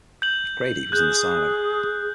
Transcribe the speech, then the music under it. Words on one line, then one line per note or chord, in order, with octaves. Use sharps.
Grady was in the silo.
G6 F#7
G#4 F#6 G6